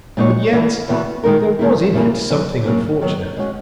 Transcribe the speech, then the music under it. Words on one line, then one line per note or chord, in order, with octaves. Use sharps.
But yet there was in it something unfortunate.
A#2 G#3 D#4 F#4 C#5
E2 C#3 E3 A#3
E2 C#3 E3 B3 F#4
D#3 G#3 D#4 A#4
E2 D#3 A#3 E4
E2 C#3 E3 A#3
C#3 F#3 B3
C#3 F#3 A#3
D#3 F#3 B3
G#3 C#4 F#4